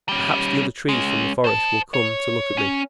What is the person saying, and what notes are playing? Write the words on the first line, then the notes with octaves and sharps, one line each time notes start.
Perhaps the other trees from the forest will come to look at me!
G3 C#4
G#3 C#4
C5 A5
C#5
C#4